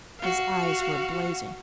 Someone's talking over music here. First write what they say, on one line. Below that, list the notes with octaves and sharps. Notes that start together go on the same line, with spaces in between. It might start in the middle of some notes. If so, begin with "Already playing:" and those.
His eyes were blazing.
F#4 F5